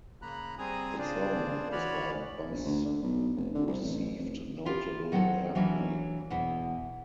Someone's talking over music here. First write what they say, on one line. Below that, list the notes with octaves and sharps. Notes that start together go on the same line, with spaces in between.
The song, Is by Bus received notable airplay.
C#3 A#3 A#5 B5 F#6
G3 C4 G#4 G#5 A#5 D#6
C#3 D4 F4 G#4 C5 D5
E3 F#4 C#5 D5 B5 F6
A#1
D2
D3
B1
F1
D3
C2
A1
F1
E4 F4 G4 A#4
D#3 F#3 C4 F#4 A4 F#5
E3 F#3 A#3 C#4 D4 E4
E2 B2 E4